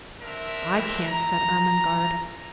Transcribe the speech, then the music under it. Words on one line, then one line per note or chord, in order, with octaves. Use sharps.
"I can't," said Ermengarde.
C4 D4 A#4 E5
A#5